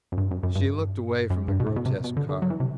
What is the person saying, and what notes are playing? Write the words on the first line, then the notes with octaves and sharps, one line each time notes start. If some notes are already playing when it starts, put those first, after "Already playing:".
She looked away from the grotesque car.
F#2
G2
F#2
F#2
G2
F#2
G2
B2
A2
B2
C3
B2
D3
D3
F#3
E3
C3